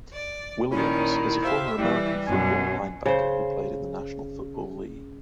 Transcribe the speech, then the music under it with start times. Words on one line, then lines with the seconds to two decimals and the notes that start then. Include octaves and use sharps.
Williams, is a former American football linebacker who played in the National Football League.
0.13 D5
0.72 A#2 D#3 C#4 E4
1.44 G4 C5 E5 F5
1.78 E3 G3
2.27 F#2 B2 G#5
3.06 C#3 C5